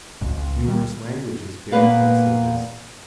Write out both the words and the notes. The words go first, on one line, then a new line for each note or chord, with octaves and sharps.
Numerous languages bear trace of this.
G#1 C#2 G#2
C#2
D#3 F#3 G3
A#2 A#3 B3 B4 F5